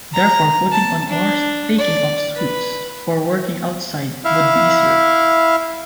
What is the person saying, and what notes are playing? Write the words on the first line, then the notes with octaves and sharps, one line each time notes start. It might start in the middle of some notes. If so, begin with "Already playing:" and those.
Therefore putting on or taking off suits for working outside would be easier.
A#5
A5
D4
D5
B4
E4 E5 F5